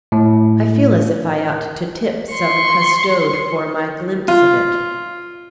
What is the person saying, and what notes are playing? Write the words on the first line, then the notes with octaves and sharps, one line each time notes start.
I feel as if I ought to 'tip' some custode for my glimpse of it.
A2
C6 C#6
F4